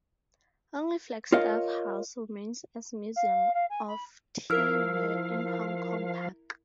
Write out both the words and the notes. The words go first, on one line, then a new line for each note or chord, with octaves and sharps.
Only Flagstaff House remains as Museum of Tea Ware in Hong Kong Park.
F4 A#4 C#5 D#5 F5
F5
F5
G#5
B5
F3 E4 A#4 F5 E6 F6